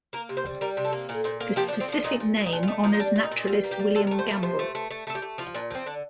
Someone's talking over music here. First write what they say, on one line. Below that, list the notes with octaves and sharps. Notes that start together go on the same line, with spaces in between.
The specific name honors naturalist William Gambel.
A#3 A#4
C3
C5
G3
G3 A#4
C3
A4
A#3
A#2 A#4
A#2 C5
A#3 A#4
F3 G4
D4
F3
C4
F3 D4
A#2 D#4
A#2
A#2
D#4
A#2 D4
F4
A3 D#4
F3 D#4
D#4
G3 D4
A#2
D#4
A#2
D#4
G3 F4
A#3
G4
G3
C3 A4
A#4
A3
C5
F3 A#4
C3 C5
A3
A3
A3
A3 A4
G4
A3
F3 F4
A#2 D4
F3 C4
D3 D4